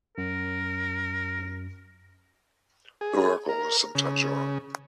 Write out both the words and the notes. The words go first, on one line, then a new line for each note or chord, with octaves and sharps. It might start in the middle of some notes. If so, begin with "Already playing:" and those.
The oracle was sometimes wrong.
F#2 A#4
G#4
A#4
C#3